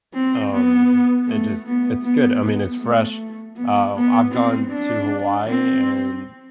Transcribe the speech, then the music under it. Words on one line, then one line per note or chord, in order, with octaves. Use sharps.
um, it just it's good, I mean, it's fresh, uh, I've gone to Hawaii, and
C4
B3
A3
B3
B3
B3
A3
B3
B3
C4
D4
C4